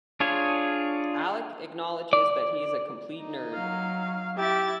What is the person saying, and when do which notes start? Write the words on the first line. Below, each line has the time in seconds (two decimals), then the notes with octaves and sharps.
Alec acknowledges that he is a complete nerd.
0.20 D4 F4 G#4 C#5
2.13 D5
3.18 D#4
3.54 F#3 F5
4.38 E4 G4 E5 A6